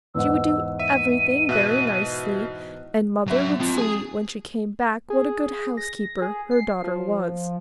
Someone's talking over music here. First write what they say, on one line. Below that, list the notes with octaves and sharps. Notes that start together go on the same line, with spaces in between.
She would do everything very nicely and Mother would see when she came back what a good housekeeper her daughter was.
E2 G#2 F#5 E6
E5 D#7
B2 E5 F#6
F#3 E5
C4 F4
G#4 G#5
G#4
A#6
G#4
C7
F3